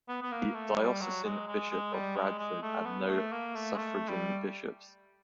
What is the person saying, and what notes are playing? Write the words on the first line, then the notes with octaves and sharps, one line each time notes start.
The diocesan Bishop of Bradford had no suffragan bishops.
B3
B3
A#3
A3
G3
F#3
G#3
G#3
G#3
G3
G#3
G#3
A3
B3
A3
A#3
A3
G#3
A3
G3